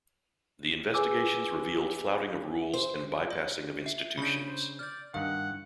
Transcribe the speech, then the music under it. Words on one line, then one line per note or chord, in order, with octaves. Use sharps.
The investigations revealed flouting of rules and bypassing of institutions.
G#4 B4 G#5 D6 E6
C5
D5
E5
C#3 D4 B5 G6
C5
D5 F6 G6
G2 D#3 F5 F#5